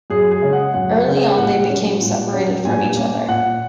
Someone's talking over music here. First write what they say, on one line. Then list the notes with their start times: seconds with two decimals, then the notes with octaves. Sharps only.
Early on they became separated from each other.
0.10 F#2 G#4
0.31 G#4
0.42 C#3 G#3 C#4
0.53 F#5
0.74 F#2 F#5
1.06 C#3 G#3 C#4
1.37 A#2 F#5
1.69 F#3 C#4
2.01 A#2
2.33 F#3 C#4
2.65 A#2 G#5
2.97 A#3 C#4
3.28 A#2 F#5